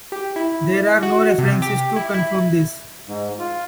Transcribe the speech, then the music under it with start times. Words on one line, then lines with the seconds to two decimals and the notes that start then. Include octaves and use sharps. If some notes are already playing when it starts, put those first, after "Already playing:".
There are no references to confirm this.
0.12 G4
0.36 E4
1.03 F#4
1.38 C3
1.62 G4
1.96 E4
2.14 E4
3.08 G#2
3.39 F4